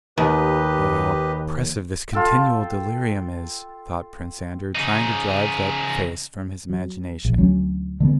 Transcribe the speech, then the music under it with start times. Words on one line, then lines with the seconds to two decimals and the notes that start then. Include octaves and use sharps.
"Oh, how oppressive this continual delirium is," thought Prince Andrew, trying to drive that face from his imagination.
0.18 D#2 G4 B4 D#5
2.13 F4 A4 G5
4.75 C#3 D#4
6.70 F#3
7.25 A#1
7.37 D2 F#3 C#4
8.00 D3 G#3 A3 B3